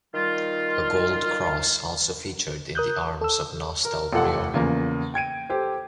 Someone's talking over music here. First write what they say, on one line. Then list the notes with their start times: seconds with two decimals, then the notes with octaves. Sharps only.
A gold cross also featured in the arms of Nostell Priory.
0.14 D#3 G3 F4
2.75 A#4 D#6 F#6 G6
3.21 A4 E6
3.85 A#4
4.13 F1 F4 G4 A4 F#5
4.54 E2 C#3 F3 A#3
5.14 G5 G#6 D7 D#7
5.50 G4 A4 C5